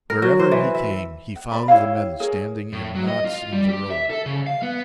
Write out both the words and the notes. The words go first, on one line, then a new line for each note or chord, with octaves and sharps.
Wherever he came he found the men standing in knots in the road.
A#4
F#3
C5
E3
E5
F#5
D5 B5
E4 G4 C#5 F5
G#4 A#4 C#5
A2
F#3
D#5
F4
G3
G4
E5
A4
C#3
F5
B3